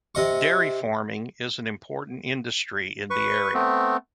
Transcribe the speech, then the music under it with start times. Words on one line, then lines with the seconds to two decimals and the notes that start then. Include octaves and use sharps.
Dairy farming is an important industry in the area.
0.15 C3 D#5 C#6
3.10 B4 C#6
3.54 A3 B3 C4